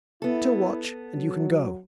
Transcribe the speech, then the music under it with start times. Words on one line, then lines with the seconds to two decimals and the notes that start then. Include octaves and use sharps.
Til watch, and you can go.'
0.22 B3 E4 A4
1.14 F#3